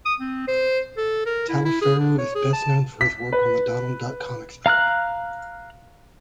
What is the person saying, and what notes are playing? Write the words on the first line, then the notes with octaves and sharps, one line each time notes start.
Taliaferro is best known for his work on the Donald Duck comic strip.
D#6
C4
C5
A4
A#4
E4
E4
G#4
D4
C#5
G#4
A5
B6
B4
F5 A#5 F6 F#6